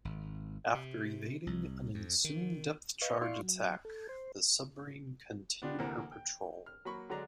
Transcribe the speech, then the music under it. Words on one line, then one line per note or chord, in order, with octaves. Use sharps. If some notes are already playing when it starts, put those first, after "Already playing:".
After evading an ensuing depth charge attack, the submarine continued her patrol.
G#1
C3
C2
F2
D#3
B4 D#5 F5 C#6
E4 D5 F5 C6 C#6
F#3
A4
C5
B3 D4 F4 G4
D2 C3 E3 A#3
G5
F6
F#3 A#3 B5 C#6
D3 F#3 G#3 D4 A#5